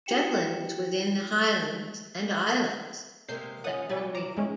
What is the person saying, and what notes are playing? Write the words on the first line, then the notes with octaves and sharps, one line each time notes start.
Shetland is within the Highlands and Islands electoral region.
E4 F#4 G4 G5 C#7 E7
C3 G#3 A#3 G6 C7
G#3 C#4 F4 F#5 D#6
C3 D#3 F#3 G#5 B5 A6
A#5 D6
F2 E3 G#3 C#4